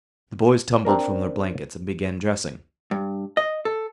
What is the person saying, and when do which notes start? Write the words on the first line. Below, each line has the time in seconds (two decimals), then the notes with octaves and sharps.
The boys tumbled from their blankets and began dressing.
0.85 C4 D4 A#4
2.91 G2
3.37 D#5
3.65 A4